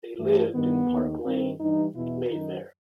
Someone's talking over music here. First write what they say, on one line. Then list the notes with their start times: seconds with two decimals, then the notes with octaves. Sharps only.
They lived in Park Lane, Mayfair.
0.19 G2 E3 A3
0.54 G2 D#3 B3
0.89 D#2 D#3
1.25 G2 D#3 C4
1.60 G2 E3 D#4
1.95 E2 B2 E4
2.30 F#2 D#3 D#4